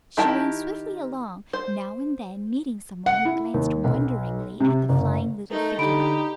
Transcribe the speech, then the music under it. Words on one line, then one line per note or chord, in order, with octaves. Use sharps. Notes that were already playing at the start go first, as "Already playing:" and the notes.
She ran swiftly along, now and then meeting someone who glanced wonderingly at the flying little figure.
D#3 E4 G4 G5 A5
C5
F#5
E4
D#2
B1
C3
F#1
A3 D#4 A#4
D3 D#4 G4 B5 D7